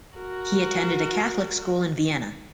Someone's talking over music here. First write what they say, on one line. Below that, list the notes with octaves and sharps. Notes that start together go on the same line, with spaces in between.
He attended a Catholic school in Vienna.
F#4 A#4